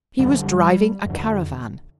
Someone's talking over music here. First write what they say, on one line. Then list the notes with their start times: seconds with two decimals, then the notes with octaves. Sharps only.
He was driving a caravan.
0.19 F2 D3 G3
0.30 F3
0.39 G3
1.06 F2 D3